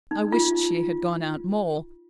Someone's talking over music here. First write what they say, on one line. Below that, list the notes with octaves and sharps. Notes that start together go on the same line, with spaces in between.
I wished she had gone out more.
D#4
F4